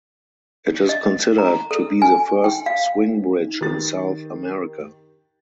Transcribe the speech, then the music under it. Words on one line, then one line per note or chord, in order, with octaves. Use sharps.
It is considered to be the first swing bridge in South America.
D#5
A#5
A4
G#5
G5
F5
D#3 G4 A6